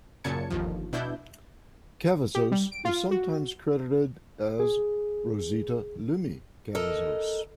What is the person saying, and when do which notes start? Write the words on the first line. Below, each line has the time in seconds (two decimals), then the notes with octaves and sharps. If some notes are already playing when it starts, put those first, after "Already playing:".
Cavazos is sometimes credited as "Rosita Lumi Cavazos".
0.24 F#2 A#2 C#3 A5 G#6 C#7
0.50 G1 D#2 F3
0.93 B2 D4 E4 G6
2.35 G4
2.52 G3
2.72 D7
2.85 F4
3.11 F#4
4.60 G#4
6.75 A4 A#4 D#5